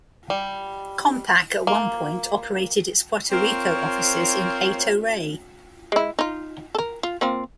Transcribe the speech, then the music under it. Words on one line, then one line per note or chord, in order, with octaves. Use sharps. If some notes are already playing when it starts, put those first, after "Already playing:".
Compaq at one point operated its Puerto Rico offices in Hato Rey.
G3
A#3
C4 F4 A#4 C5 C#5
G#3 E4
D#4 F4
A4 A#4
F4
A#3 C4 F4